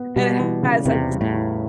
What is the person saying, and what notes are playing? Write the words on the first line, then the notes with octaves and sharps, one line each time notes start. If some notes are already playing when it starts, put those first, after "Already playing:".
And it has a
Already playing: B3
B2 G3
E3
C#3
E2 C3
G3
A2
E3